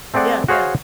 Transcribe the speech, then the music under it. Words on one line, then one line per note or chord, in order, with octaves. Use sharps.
Yeah, yeah.
A3 C4 G#4 D5 F#5
F#4 G#4 C5 C#5 F5